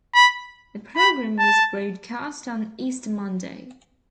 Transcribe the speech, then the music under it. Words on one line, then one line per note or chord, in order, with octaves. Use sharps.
The programme was broadcast on Easter Monday.
B5
B5
A5